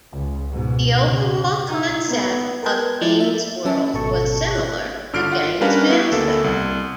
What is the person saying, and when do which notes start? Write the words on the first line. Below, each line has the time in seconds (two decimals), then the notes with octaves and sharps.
The overall concept of "Games World" was similar to "GamesMaster".
0.13 C#2
0.51 G#2 B2
1.04 C#3
1.69 D#4
2.08 B3
2.63 A#4 B4 G5 A5 G6 G#6
3.01 F3 E4 D5 A6
3.20 E5
3.65 F#3 C#4 E5 A5
3.94 G#1 B2 A4 A5 C#6
4.51 C#5 F#6
5.13 G1 D3 A4 F6 D7
5.31 F4 F#5
5.61 G3 C#4 D4 A#4 B4 F5
5.90 B3 E4 F#4
6.12 D2 A#3 B3 A4
6.44 C2